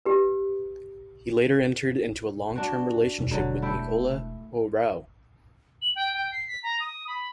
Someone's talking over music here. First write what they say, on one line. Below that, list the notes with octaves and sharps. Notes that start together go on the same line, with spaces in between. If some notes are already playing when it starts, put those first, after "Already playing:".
He later entered a long-term relationship with Nicola Hoarau.
G4 B4
D4 F#4
E1
E1 D3 F#3
A3 E4 G5
F#7
G5
G5
C7
B6
A#5
D#6
B5